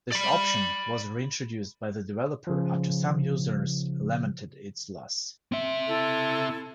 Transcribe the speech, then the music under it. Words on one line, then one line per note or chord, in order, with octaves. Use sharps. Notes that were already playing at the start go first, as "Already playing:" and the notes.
This option was reintroduced by the developer after some users lamented its loss.
D5 B5
C#3 F3
C4 E5
E4 A4